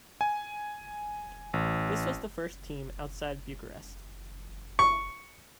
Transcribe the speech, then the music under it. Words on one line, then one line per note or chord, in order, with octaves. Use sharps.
This was the first team outside Bucharest.
G#5
A1
C#6